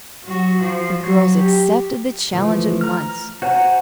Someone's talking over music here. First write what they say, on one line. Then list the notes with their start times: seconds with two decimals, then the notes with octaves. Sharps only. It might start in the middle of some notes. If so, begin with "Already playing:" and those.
The girls accepted the challenge at once.
0.25 F#3 F#4
0.61 F3
1.01 F#3
1.37 G4
2.34 E3 F3 A3
2.81 A#5 F6
3.42 F#4 C5 F#5 G#5 A#5